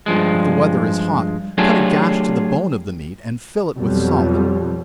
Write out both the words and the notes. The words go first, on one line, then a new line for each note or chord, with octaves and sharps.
If the weather is hot, cut a gash to the bone of the meat, and fill it with salt.
G2 F3 G#3
F#3 A3 D4 F4 G4 G#4
F2 B2 F#3 G3